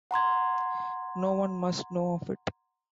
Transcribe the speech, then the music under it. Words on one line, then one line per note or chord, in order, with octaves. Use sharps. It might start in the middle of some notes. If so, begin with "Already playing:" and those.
No one must know of it.
F#5 A#5 C6 G#6